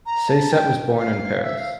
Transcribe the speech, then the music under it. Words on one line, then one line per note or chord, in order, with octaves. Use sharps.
Saiset was born in Paris.
A#5
A5
G5
F5
E5
F5